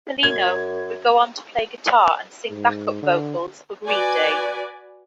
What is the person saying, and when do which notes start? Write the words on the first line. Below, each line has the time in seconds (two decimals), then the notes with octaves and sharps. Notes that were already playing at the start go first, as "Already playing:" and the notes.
Pelino would go on to play guitar and sing backup vocals for Green Day.
0.23 F#2 G#6
2.51 G#2
3.03 D3
3.87 F#4 B4 D5 G#5